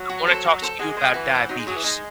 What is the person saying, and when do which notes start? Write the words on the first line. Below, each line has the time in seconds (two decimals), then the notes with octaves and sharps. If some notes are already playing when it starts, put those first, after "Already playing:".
"I wanna talk to you about diabetes."
Already playing: F#3
0.09 F#4
0.27 A4 C5
0.45 F#4
0.62 A4 C5
0.79 G#3 F#4
0.97 G#3 C5 F#5
1.14 E3 F#4
1.31 C5 F#5
1.49 F#3 D#4
1.58 G#3
1.66 F#3 G#4 C#5
1.75 E3
1.84 G#3 D#4